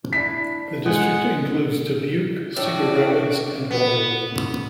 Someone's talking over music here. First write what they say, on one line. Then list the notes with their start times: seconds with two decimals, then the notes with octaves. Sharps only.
The district includes Dubuque, Cedar Rapids, and Waterloo.
0.13 D4 E4 B6 C7
0.86 D3 G#3 F#5 G#5 D#6
2.56 A2 D4 F#4 D5 G5
3.71 B3